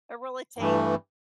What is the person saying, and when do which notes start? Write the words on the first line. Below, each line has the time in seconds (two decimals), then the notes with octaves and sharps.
A roll of tape.
0.58 G2 E3 A3